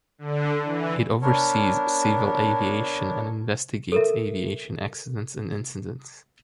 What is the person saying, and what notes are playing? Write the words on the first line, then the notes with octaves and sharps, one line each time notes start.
It oversees civil aviation and investigates aviation accidents and incidents.
D3
E3
B3 D4 A#4 C#5
A4 A#4 E5